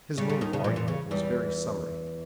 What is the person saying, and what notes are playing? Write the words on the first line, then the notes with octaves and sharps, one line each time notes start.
His mode of argument was very summary.
C#3 G3
C#3
D#2 D#3
C#3
A#2 E3
A#2
C#3
E2 E3 G3